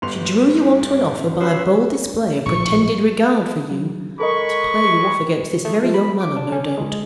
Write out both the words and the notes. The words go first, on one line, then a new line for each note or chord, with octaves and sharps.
She drew you on to an offer, by a bold display of pretended regard for you,--to play you off against this very young man, I've no doubt.
G1 G2 C6 F7
C#4 F#4 B4 C5 E5 F#5
A#1 A2 F3 C#6
F#3
G#3 A4 A#4 D#5 B5 C#6
A3
F3
B5
D6
D4
C#4
G#3